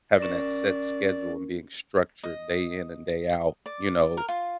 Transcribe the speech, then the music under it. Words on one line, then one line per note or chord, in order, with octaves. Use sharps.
Having that set schedule and being structured day in and day out, you know,
C#4 A#4 D5
D#5
D5
A#4
F4